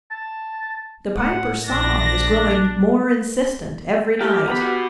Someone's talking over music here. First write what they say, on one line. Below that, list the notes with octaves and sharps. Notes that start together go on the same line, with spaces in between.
The Piper's song is growing more insistent every night.
A5
A2 F#5
A#1 D4 A#6
G4 A#4
B3 G4 A#5 B5
F#4 B5